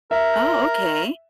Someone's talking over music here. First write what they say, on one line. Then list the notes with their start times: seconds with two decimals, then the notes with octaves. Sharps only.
Oh, okay,
0.11 A#4 E5